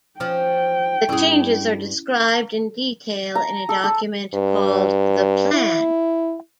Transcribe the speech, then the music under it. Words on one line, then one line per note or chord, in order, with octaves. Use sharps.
The changes are described in detail in a document called "The Plan".
F3 C#4 G5 F6
G2 C#4 E4 G#4
A#5
A4
A4
G2
E4